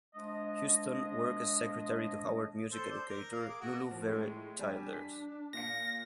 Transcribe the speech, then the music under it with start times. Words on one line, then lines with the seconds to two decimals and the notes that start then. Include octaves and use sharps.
Houston worked as secretary to Howard music educator Lulu Vere Childers.
0.15 F3 G#3 D4 D#5
2.72 A4 C5
2.90 C5 D5
3.08 A#4
3.32 A#3
3.49 G#4 D6
3.61 F#4 A#4
3.91 F3
4.08 A2 G#3
4.59 G3 D4 G4 G#5
4.93 B6
5.53 A#2 F5 A#6 C#7